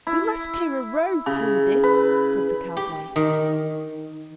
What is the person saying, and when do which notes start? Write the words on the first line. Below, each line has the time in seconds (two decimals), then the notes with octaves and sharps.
"We must clear a road through this," said the cowboy.
0.07 E4
1.26 C#3
1.84 B4
2.77 G4
3.16 D#3